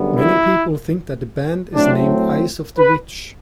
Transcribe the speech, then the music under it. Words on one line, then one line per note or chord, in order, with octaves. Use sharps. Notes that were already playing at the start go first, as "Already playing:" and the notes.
Many people think that the band is named Eyes of the Witch.
Already playing: F#2 D3 G3 B3
E4
A2 F#3 A3 C4 D4
B4